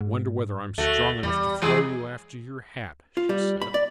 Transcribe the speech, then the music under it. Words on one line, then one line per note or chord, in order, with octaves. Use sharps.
"I wonder whether I'm strong enough to throw you after your hat?" she said.
G#2
D2 A3 F#4
E2 G3
E3 G#3 G#4
F4
G3
B5
D5